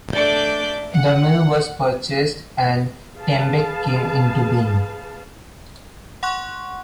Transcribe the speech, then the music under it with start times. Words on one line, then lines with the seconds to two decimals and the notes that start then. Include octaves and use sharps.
The mill was purchased and Tembec came into being.
0.14 A3 D4 D5 E5 D6 G6
0.92 F#5
3.19 G#4 B4 F5 A5
6.23 F#5 C6 C#6 F#6